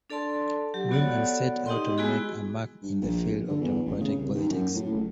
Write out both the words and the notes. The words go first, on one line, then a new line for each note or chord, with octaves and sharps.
Grim and set out to make a mark in the field of Democratic Politics.
D4 A4 D5 A5 C6
F#3 G4
B3 F#4 A4 C#5 D5 F#5
D#4 G4 D#5 G5 C6
G#3 B3 E4 F#4 G#4
G2
A#1
D3
E2
A1
C#3
C2
D#2
F#2
A2
F#1